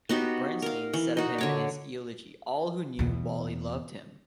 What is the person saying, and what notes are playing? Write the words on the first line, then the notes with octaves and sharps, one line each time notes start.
Bernstein said of him in his eulogy, All who knew Wally loved him.
B3 D#4 F#4 G4
A#4 F5
E3
D#4 F#4
D3 C#5 D6
E2 B2